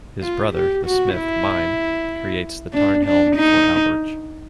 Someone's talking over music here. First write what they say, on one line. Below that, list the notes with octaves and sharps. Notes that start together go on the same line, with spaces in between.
His brother, the smith Mime, creates the Tarnhelm for Alberich.
F4
G4
F#4
E4
D4
D4
D#4